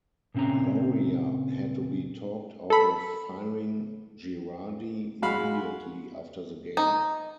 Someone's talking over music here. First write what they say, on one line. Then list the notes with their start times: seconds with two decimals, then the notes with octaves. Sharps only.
Loria had to be talked out of firing Girardi immediately after the game.
0.35 A#2 C#3 C4 C#4 A#5
2.70 A4 B5
5.22 G#3 F#4 F5 B5
6.77 D#4